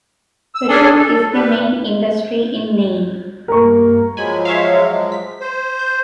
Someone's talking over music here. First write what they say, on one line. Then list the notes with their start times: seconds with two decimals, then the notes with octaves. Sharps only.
Fishing is the main industry in Nain.
0.55 E6
0.69 C#4 D4 G#4 A4 G#5
0.96 A4
1.33 G3 B4
3.48 G2 A#3 A#4 C#6
4.17 F3 F#3 G#3 G#5 B5
4.45 C#5 E5 F5
5.12 B6
5.41 C5
5.79 G6